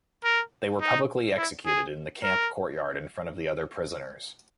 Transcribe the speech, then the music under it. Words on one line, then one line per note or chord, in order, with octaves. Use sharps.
They were publicly executed in the camp courtyard in front of the other prisoners.
A#4
D#4
E4
G#4
A#4